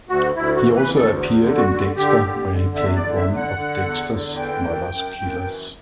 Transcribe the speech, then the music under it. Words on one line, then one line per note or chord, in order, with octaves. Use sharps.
He also appeared in "Dexter" where he played one of Dexter's mother's killers.
D2 F#4
D2 E4
F#4
E3
B4
D2
A4
E2
D3
F#4
D3
D3 G4
D3
D3
E2 E5
D5
D3
E5
D3
F#5
D3
E2
D3
E3 G5
F#2
F#2
F#2
E3